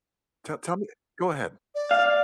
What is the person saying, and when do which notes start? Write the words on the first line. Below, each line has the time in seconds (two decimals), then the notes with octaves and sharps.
Te tell me go ahead.
1.75 D5
1.91 F5